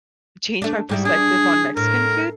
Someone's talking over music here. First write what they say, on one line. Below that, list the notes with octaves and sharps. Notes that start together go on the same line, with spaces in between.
changed my perspective on Mexican food,
A3 D4
G#2 G3 E4
D4 G#4
A2 A#4